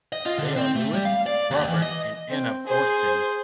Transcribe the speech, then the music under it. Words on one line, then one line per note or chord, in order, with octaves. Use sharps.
They are Louis, Robert and Anna Boorstin.
D#5
F4
D3
C4
A3
G3
F5
D5
D#2
E3
D#5
C4
G#4 C5